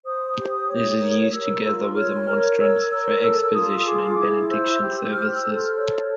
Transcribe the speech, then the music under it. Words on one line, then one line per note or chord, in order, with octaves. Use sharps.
This is used together with a monstrance for exposition and Benediction services.
C5 D#6
G4
C#5
A#4
A#4 E6
F4
C#5 F6
A#4
C#5 E6
A#4 E6
A4 E6
F4 D#6
G#4 D6
E4
C5 E6
G4
C5 F6
E6
A4
F6
C#5